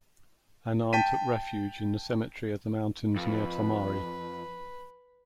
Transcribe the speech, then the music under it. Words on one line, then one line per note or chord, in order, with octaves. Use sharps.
Annan took refuge in the cemetery of the mountains near Tomari.
G5 A5 B6 D#7
F2 B4